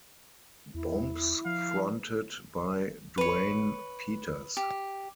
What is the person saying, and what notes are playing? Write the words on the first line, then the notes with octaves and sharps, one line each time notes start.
Bombs fronted by Duane Peters.
E2 E4
F3 F5
B4 C#5
G4